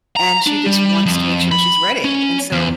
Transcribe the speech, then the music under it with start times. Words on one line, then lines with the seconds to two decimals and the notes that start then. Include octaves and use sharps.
and she just wants to make sure that she's ready, and so
0.16 A#5
0.47 D4
0.66 G3
1.06 F2
1.52 B5
2.05 C#4
2.52 E2